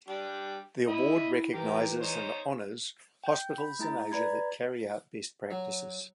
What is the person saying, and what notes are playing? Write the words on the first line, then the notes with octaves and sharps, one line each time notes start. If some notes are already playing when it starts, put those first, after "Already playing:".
The award recognises and honours hospitals in Asia that carry out best practices.
G3 D4 G4
E4 D#5 E5 B5
E3 G4 A#4
D#4 C5 C#5
G5 G6
B5 G6
A3 E4 A#5 A6
B4 D5 A#5 B5 G#6 A6
F#3